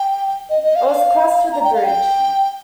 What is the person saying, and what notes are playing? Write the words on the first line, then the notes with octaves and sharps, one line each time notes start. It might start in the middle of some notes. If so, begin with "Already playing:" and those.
It was crossed with a bridge.
Already playing: G5
D#5
D#5
F5
F5
A#5
G5
F5
G5